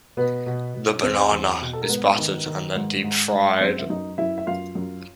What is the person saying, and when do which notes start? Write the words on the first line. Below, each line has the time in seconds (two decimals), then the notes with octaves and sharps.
The banana is battered and then deep fried.
0.17 B2 B3 B4
0.46 B2
0.74 B2
1.03 E2 C4 C5
1.32 E2
1.61 B2
1.73 A4
1.82 A#4
1.89 G#2 B3 B4
2.18 D#3
2.46 D#3
2.75 G#2
3.04 G#2
3.32 G#2
3.61 F#2 C4 C5
3.79 E5
3.90 F#2 D#4 D#5
4.18 F#2 E4 E5
4.38 E5
4.47 F#2 F4 F5
4.75 F#2